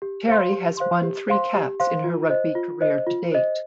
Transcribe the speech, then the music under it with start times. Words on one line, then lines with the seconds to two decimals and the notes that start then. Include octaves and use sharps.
Terry has won three caps in her rugby career to date.
0.02 G4
0.28 C5 F5 C6
0.53 G4
0.77 C5 F5 C6
1.03 G4
1.28 C5 F5 C6
1.54 G4
1.80 C5 F5 C6
2.04 F4
2.30 C5 D#5
2.55 F4
2.81 C5 D#5
3.07 F4
3.32 C5 D#5